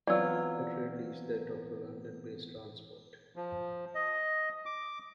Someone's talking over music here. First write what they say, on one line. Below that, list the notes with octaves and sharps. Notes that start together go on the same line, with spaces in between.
Her trade is that of a London-based transport.
E3 F#3 B3 C4 F4 D5 E6
F3
D#5
D6